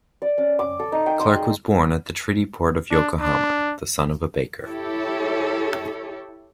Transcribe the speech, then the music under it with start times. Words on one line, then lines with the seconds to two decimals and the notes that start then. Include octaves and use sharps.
Clarke was born at the treaty port of Yokohama, the son of a baker.
0.22 D5
0.38 C#4
0.59 D6
0.79 A4
0.92 D#4
1.06 G5
1.19 C6
1.35 G#4
2.91 D4
3.21 D4
4.63 E4 G4 A4 C#5